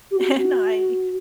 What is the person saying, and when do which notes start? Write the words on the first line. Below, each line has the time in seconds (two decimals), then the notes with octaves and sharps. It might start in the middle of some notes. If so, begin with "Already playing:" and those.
and I
0.11 G4
0.16 F#4
0.38 F#4